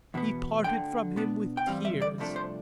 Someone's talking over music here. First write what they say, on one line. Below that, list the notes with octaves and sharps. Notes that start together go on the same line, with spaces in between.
He parted from him with tears.
E2 B2 B3
D2 D3 F3 G5
B2 B3 D4
G5
G2 E3 G3 C4 F5
E5
D5
C2 C3 F3 A3 D4
C5